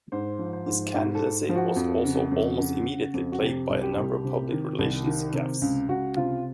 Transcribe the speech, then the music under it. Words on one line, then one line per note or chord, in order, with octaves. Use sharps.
His candidacy was also almost immediately plagued by a number of public relations gaffes.
G#2 C5
F3
C5
G#2
G#2
A4
G#2
F3
F#4
F2
C#3
F2
C#3
C#3
F2
F#4
C3 G4
C2
G4
C2
C3
D#3
C2
D#3
C3
C#2
C#2 F#4
C3 F4